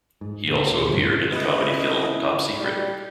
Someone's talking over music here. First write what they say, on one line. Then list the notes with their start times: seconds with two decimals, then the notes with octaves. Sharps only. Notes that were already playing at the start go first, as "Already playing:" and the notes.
He also appeared in the comedy film Top Secret!
0.21 G#2
0.48 D2 A#2 D3
0.81 D2 F3
0.93 F#2 A2 C3 G3
1.32 C#2 E4 B4 D#5
2.60 G3